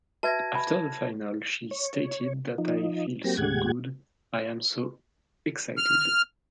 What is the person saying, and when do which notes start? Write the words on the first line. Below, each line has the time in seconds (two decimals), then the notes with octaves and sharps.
After the final she stated that I feel so good, I am so excited.
0.23 F#4 B4 E5 A5 G#6 A#6
0.55 G#5 B5
1.71 C#5
2.58 F3 D#4
3.24 F#3 A#3 C4 G4 A#6
3.37 D#2 A2 G#3 G4 F#5 G#6
5.78 F6